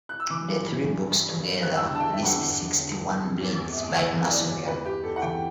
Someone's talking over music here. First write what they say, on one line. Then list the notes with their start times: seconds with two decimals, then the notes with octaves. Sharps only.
The three books together list sixty-one blades by Masamune.
0.09 F#6
0.20 E6
0.30 E3 D6
0.48 G2
0.67 E3
0.85 E3
1.03 G2
1.22 G2
1.40 G2
1.58 G2 F#6
1.76 E2 E6
1.94 D3 A5
2.00 G5
2.13 D3 E5
2.24 F#5
2.31 E2
2.49 E2
2.67 D3
2.85 D3
3.04 E2
3.22 C3
3.39 E2
3.58 E2
3.76 E2
3.94 E3 E5
4.13 E3
4.31 E2 D5
4.49 E2
4.67 E2 B4
4.85 E2 G4
5.03 E2 A4
5.16 F#5
5.22 E3 G5